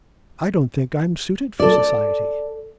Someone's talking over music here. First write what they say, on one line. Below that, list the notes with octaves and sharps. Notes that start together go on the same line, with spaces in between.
'I don't think I'm suited for society.'
A4 D5